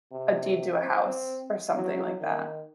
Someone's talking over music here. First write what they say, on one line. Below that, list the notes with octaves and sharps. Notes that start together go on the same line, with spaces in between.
a deed to a house, or something like that,
C3
C4
F#3
D#3